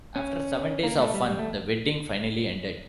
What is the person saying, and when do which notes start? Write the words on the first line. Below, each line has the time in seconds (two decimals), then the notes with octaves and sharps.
After seven days of fun, the wedding finally ended.
0.16 C#4
0.83 A#3
0.98 A3
1.14 G3
1.29 G3
1.39 A3